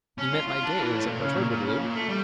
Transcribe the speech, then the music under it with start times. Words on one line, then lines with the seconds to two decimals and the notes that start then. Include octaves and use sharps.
He met my gaze imperturbably.
0.18 C#4
0.32 F4
0.48 F4
0.62 D4
0.76 E3
0.91 A2
1.06 A#2
1.21 C#3
1.35 A#2
1.50 A#2
1.65 C#3
1.79 A#2
1.94 A3
2.09 G3